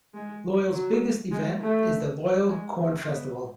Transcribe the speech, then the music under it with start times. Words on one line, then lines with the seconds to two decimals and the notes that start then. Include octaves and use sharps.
Loyal's biggest event is the Loyal Corn Festival.
0.14 G#3
0.72 F#3
1.31 G#3
1.61 A3
2.49 G#3
3.08 B3